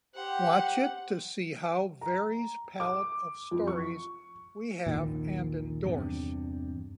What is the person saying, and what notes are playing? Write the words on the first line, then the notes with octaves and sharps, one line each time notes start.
Watch it to see how varies pallet of stories we have and endorse.
G4 C5 F#5
A#5
D6
F2
C#6
A#1 D#2 A#2 D#3
E2 G2 C3